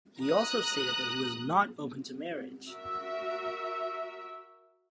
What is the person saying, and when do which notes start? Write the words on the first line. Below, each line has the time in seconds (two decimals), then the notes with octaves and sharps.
He also stated that he was not open to marriage.
0.21 A#5 D#6 F#6
2.68 F#4 A#4 E5